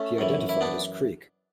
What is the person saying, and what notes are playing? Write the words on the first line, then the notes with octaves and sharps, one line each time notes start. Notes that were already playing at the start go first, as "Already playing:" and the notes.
He identified as Creek.
Already playing: A3 C#4
F#2 E3
E4
B3 D4